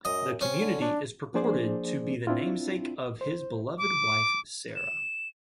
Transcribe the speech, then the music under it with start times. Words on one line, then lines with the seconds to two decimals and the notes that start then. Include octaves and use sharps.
The community is purported to be the namesake of his beloved wife, Sara.
0.05 F#2 D#5
0.41 C4 C#4
0.61 D3
0.82 D4
1.34 F3 A#3 D4 G#4 C5 D5
2.27 C4 D4 E4 F4
3.21 C5
3.78 D6
4.76 E7